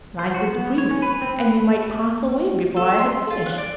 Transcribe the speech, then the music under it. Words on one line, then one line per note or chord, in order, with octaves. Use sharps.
Life is brief, and you might pass away before I had finished.
C5
F#4
B3
C#5
C#4
B4
C4
B4
A4
C6
F4
F#6
D5